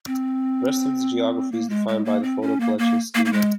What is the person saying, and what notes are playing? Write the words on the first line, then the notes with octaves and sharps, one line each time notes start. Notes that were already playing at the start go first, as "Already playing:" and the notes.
The rest of the geography is defined by the photo-collection schema.
C4
A#3
G#3
G#3
A#3
C4
C#4
A#3
A#3
A#3
A#3
G#3